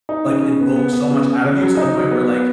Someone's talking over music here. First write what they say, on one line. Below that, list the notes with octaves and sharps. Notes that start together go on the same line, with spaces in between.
like invoke so much out of you to the point where like
D#4
C#3
C#3
B3
B3
B3
C#3
C#3
C#3
F#3
D#4
F#3
B3
B3